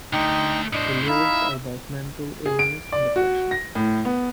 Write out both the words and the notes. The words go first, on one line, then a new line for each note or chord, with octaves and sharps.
The lyrics are about mental illness and depression.
D3 A3 D#4 G5
A2 D4 C5 D#5
D#4 E4 E5 F5
G#4
D7
D5
F#4
A#6
A2
B3